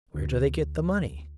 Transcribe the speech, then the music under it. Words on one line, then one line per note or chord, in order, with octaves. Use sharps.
"Where do they get the money?"
D2